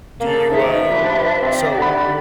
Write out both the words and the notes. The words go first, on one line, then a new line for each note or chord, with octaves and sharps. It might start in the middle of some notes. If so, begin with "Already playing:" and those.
Do you, um so,
C#3 A#3 D4 A4 F5
G#2 D#3 C#4 D#4 E5
F3 D4 G4 B4
D#3 C4 G4 D5
D3 F#5 B5